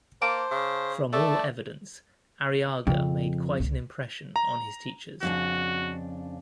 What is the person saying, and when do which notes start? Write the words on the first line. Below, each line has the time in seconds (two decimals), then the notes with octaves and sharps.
From all evidence, Arriaga made quite an impression on his teachers.
0.22 A#3 C5 A5 D6
0.51 C#3
1.13 A3 A4 D5
2.87 F2 C#3 C#4
3.60 C#2
4.36 A#5
5.23 F2 C#3 D4 F#4